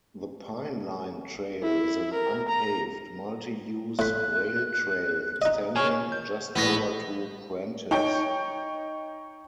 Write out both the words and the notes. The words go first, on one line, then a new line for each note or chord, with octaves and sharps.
The Pine Line Trail is an unpaved, multi-use rail-trail extending just over to Prentice.
E4
A#4
A#5
A2 B5 F#6
D#4 D#5
G#4 C#5 F6
G6
A#1 A2 B3 A#6
D#4 C#5 G5